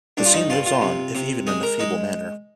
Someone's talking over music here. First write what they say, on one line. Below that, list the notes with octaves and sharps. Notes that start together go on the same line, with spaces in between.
The scene lives on if even in a feeble manner.
G2 D4
F4
D#4
G2 F4
F4
C3
C3
G#3 G#4
A#4
G#3 D#4